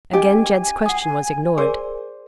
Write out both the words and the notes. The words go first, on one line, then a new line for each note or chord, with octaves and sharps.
Again Jed's question was ignored.
C#4 G4 D#5 G#5
F#5 D#6
G#4 A#4 C5 D5